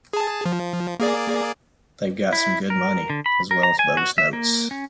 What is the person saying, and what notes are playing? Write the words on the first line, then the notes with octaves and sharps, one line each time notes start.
They've got some good money, as well as bogus notes.
G#4 A5
F3
A#3 G#4 D5
E4
A#4
D3
B5
A#4
A#5
G#5
F#4
E5
A#3
C#4